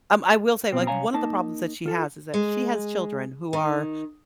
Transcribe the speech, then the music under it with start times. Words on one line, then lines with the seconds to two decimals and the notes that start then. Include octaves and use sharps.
um, I will say, like, one of the problems that she has is that she has children who are,
0.72 B1 B2 C4
0.87 C2 C#4 F5 G#5 A#5
1.14 A#3 D#4 A5
1.86 F4 A4
2.34 G#3
3.53 D#3